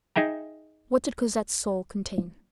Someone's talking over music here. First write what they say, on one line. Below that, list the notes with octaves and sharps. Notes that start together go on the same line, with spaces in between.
What did Cosette's soul contain?
D#4 G#4 E5 G5 A#5